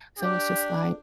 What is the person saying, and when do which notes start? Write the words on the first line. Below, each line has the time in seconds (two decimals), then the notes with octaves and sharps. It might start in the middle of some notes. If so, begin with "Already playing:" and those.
So it's just like,
0.19 D4 G4